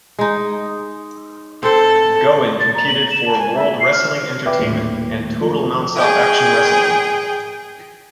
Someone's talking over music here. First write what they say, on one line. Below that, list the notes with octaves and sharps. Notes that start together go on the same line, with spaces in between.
Gowen competed for World Wrestling Entertainment and Total Nonstop Action Wrestling.
G#3 D#4
C4 A4 C5
A6
A#5
F#7
E7
A5
G#5
E5
C7
F6
B4 D5 E5 G5 D6
D#1 A2
F3
G#4 G5